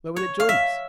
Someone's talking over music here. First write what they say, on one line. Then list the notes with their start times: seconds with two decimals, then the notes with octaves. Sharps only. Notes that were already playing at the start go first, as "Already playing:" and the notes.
"Where will it join us?"
0.16 C#5
0.40 F5
0.49 E5